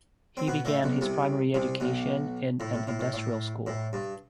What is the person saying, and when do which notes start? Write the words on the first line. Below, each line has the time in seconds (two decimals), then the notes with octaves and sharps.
He began his primary education in an industrial school.
0.37 C4
0.47 B2 B3
0.65 A2 A3
0.83 B1 B2
1.01 C2 C3
1.55 C2 C3
1.80 B1 B2
2.60 A2
2.73 A2
2.87 A2
2.99 A2
3.13 A2
3.67 A2
3.93 G2